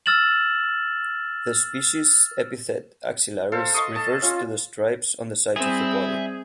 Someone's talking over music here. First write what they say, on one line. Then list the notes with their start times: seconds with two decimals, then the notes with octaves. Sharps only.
The species epithet "axillaris" refers to the stripes on the sides of the body.
0.06 E6 F6 A6 E7 F#7
3.52 A4 C5 F5
3.74 D#5 C6 C#6 D#6
3.96 A5
4.22 C#4 F4
5.56 G3 C4 E4 G#4 E5